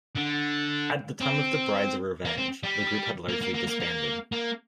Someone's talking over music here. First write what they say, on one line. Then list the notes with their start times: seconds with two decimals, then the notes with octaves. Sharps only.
At the time of The Bride's revenge, the group has largely disbanded.
0.16 D3
1.20 C4
2.25 A#3
2.37 C4
2.63 G3
3.29 A#3
3.41 A#3
3.54 A#3
3.68 A#3
3.80 A#3
4.32 A#3